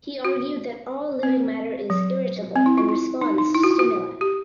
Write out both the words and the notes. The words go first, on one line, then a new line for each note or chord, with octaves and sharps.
He argued that all living matter is "irritable" and responds to stimuli.
F#4
C4
F#3
C4
E4
F4
E4
D#4
D#4
E4
F#4
F4
F#4
G4